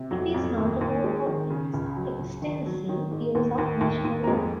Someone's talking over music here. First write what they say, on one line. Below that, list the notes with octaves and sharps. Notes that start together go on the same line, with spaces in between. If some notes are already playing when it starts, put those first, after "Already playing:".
It is notable for its extensive use of natural light.
Already playing: C3
F2 F#3 F#4
F2
D#2
D#2
G#3
D#3
C#3
C#2
F#3
C#2
D#3
F#3
D#3
G#2
D#2
D#2
D#2
D#2
A#4
F2 G#3 G#4